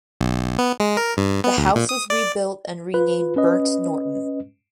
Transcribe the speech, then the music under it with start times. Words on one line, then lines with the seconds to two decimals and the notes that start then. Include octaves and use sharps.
The house was rebuilt and renamed Burnt Norton.
0.21 B1
0.58 B3
0.80 G#3
0.97 A#4
1.17 G2
1.44 B3
1.57 D2
1.76 A#2
1.89 D#6
2.10 D5
2.94 F4 B4
3.36 C#4 B4 D#5